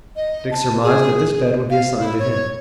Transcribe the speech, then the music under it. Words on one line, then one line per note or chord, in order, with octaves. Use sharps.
Dick surmised that this bed would be assigned to him.
D#5
A5
G#4
F5
E4
C#5